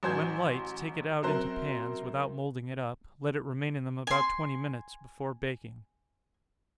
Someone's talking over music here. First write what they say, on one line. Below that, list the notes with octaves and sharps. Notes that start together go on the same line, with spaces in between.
When light, take it out into pans, without moulding it up--let it remain in them about twenty minutes, before baking.
A1 F#3 C5 G#5 G6 G#6
F#2 C4 A#4 C5 F#6
G#5 C6